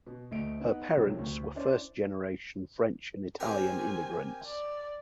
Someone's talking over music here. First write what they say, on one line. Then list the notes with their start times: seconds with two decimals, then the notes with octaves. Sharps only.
Her parents were first generation French and Italian immigrants.
0.07 B2
0.31 D2 A3 D#5 D7
0.60 B3 D#4 B4 F#5
0.97 C2 C3 D#3 F3 F#3
1.19 D2
1.55 C#4 D4 E4 C5 D5
3.40 C4 G4 A#4 G#5
4.46 D5